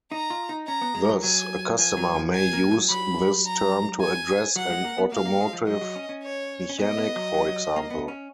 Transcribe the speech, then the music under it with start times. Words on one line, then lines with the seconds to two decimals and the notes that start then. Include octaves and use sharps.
Thus, a customer may use this term to address an automotive mechanic, for example.
0.12 D#4 A#5
0.30 F4
0.49 D#4
0.67 C#4 A#5
0.81 B3
0.95 G#3
1.09 F#3
1.23 F#3 G#5
1.78 F3 G#5
1.97 F#3
2.16 F3
2.34 G#5
2.53 A#3
2.71 F#3
2.90 F#3 B5
3.45 A#5
4.01 G#5
4.56 F#3 F#5
4.70 G#3
4.84 A#3
4.98 B3
5.12 A#3 F5
5.25 A#3
5.40 G#3
5.53 F3
5.67 F#3 D#5
5.81 F#3
5.96 C#4
6.09 C#4
6.23 C#5
6.69 C#4
6.79 B3 D#5
6.97 B3
7.16 F#3
7.34 F#3
7.48 F#3
7.76 A#3
7.90 B3
8.08 C#4